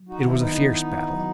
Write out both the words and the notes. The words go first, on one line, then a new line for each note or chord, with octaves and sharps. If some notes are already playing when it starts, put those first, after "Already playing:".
It was a fierce battle.
Already playing: F#3
D#4 F#4
D#3 C4 E4
B3 D#4
E4
E4
F#3